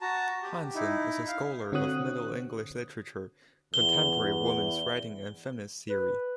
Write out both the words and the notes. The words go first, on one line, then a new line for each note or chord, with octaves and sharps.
Hansen is a scholar of Middle English literature, contemporary women's writing and feminist theory.
F#4 A5 A#5
G4
D#4 E4
F5
D3 C4 F#4 C#5 D#6 F#6
E2 G7
B4